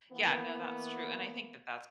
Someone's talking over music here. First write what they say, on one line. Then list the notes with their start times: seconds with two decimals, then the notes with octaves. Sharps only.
Yeah, no, that's true, and I think that that's p
0.11 E3 A#3 B3